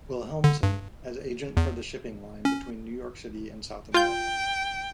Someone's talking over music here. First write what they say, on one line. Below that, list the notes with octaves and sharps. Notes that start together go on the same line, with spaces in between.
Wilhelmsen as agent for the shipping line between New York City and South America.
D3
G2
E2
C#4
F4 G5 G6